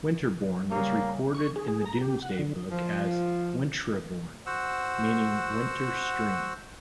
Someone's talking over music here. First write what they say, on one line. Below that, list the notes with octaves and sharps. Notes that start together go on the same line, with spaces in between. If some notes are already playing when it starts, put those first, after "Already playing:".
Winterbourne was recorded in the Domesday Book as "Wintreborne", meaning 'Winter Stream'.
C#3 G3 A#3
C#6
G#4
G#4
A#5
G4
F#5
D3
F3
F#4 C5 F#5 E6